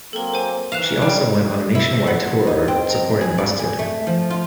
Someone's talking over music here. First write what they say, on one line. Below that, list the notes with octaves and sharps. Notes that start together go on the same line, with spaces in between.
She also went on a nationwide tour supporting Busted.
F#3 A#3 C4 A4 A#4
C5 G#5
D#3 E3 F5 F#6 E7 F7
G3
E4
B3
D#4
C4
A#5
G#4
D5
G#4
A3
F3
F4